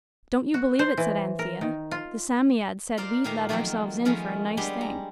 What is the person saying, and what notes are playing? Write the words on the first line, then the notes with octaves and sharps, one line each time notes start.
'Don't you believe it!' said Anthea. 'The Sammyadd said we'd let ourselves in for a nice thing.
F#4
C5
E3
A#4
D#3
F4
F4 A#4 C5 D5 F5
A#2 D#3 A3 G4 F5 A#5
D#3 F3 F#3 A3 A#3 C4
D#3 F3 G#3 A3 B3 C#4
G3 G#3 B3 D4 G4
A#5